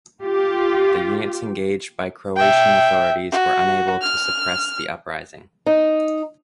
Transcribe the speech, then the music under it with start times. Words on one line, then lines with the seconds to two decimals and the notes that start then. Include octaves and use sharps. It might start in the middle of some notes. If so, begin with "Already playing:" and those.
The units engaged by Croatian authorities were unable to suppress the uprising.
0.22 F4 G4
2.36 E5 G5
3.32 F#4
4.02 F6
5.66 D#4